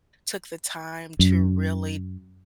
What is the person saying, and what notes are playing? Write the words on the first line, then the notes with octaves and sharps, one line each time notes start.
took the time to really
F#2